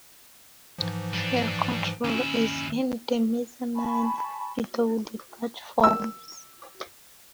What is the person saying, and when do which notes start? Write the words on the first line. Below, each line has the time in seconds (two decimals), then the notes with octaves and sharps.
Fare control is in the mezzanine below the platforms.
0.78 G#2 E3 F3
1.14 G3 D4
2.04 D#2 C#4 E4
3.75 G#5 A5 B5 C#6
5.84 E6